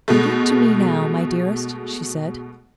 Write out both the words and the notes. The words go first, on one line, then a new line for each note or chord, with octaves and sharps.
'Drink to me now, my dearest,' she said.
B2 G#3 A3